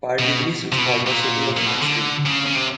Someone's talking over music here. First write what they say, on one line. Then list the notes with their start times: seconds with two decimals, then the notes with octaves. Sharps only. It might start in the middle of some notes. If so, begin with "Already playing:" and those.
Pardubice is called the city of industry.
0.19 B2
0.72 C3
0.78 B2
1.07 A#2
1.57 A#2
1.66 B2
1.82 D3
2.26 C#3
2.47 C#3
2.56 C3